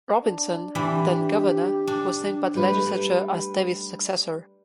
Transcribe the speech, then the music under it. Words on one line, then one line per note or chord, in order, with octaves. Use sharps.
Robinson, then governor, was named by the legislature as Davis' successor.
D4
E3 C4 D4 G4
D4
G3 A3 D4 B4